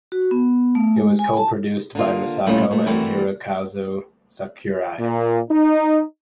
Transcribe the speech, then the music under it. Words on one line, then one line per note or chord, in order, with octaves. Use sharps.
It was co-produced by Misako and Hirokazu Sakurai.
F#4
B3
A3
G#3
G#5
A5
D3 A#3 F4
A#2 G3 A3 C#4 E4 F4
A#2 A3
E3 G3 A3 C4 F#4 A#4
A#2
D#4